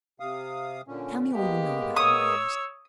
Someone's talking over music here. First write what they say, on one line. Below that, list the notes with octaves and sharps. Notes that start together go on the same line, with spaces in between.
"Tell me all you know about him?" I asked.
C3 F5 D#6
A#2 D3 C#4
G#3 A#3 B3 G4
C#5 D#6 E6